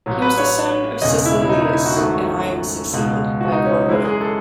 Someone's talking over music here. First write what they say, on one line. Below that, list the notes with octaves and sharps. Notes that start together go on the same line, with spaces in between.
He was the son of Sisillius I and was succeeded by Gorboduc.
A1 A2 F#3
B4
C#5
E1 E2 C#3 D#5
E4
E4
D#4
D#4
E4
F#4
G#1 F#2 D#3 A3 F#4
C#2 B2 G#3
F#4
D#4
C#4
F#2 E3 G#3 E4
G#4
A4